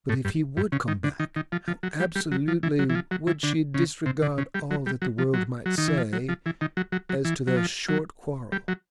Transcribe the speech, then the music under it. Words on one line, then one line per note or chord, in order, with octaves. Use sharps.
But if he would come back, how absolutely would she disregard all that the world might say as to their short quarrel.
A2
G2
G2
C#3
D#3
D3
D#3
D#3
F3
F3
F#3
G3
G3
F#3
F3
E3
F#3
E3
F3
F#3
E3
D3
C#3
C3
D3
C#3
G3
F#3
G3
F#3
F3
F#3
F#3
D#3
E3
F3
F#3
F3
E3
D#3
F#3
F#3
F#3
E3
F#3
F3
F#3
G3
F#3